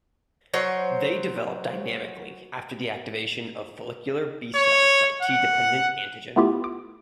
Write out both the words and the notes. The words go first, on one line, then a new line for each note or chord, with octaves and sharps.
They develop dynamically after the activation of follicular B cells by T-dependent antigen.
F#3 C5 C#5
C#5
F#5
A3 B3 E4 F4 G4
D6